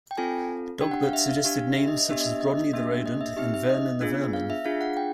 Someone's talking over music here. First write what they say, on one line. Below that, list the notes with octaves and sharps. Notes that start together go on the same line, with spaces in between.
Dogbert suggested names such as 'Rodney the Rodent' and 'Vernon the Vermin'.
G5
C4 F4 A4 G#5
D4 G4 G5
F#5
F5
E5
F5
D4 G4 F5
E5
D#5
D#5
B3 D4 G4 E5
D#5
E5
D#5
D#5
A#3 D4 G4 E5
D#5
E5
C4 D#4 G4 E5
E5
D#5
B3 D4 F4 G#4
F5
E5
D4 F4 G#4 F5
F#5
G5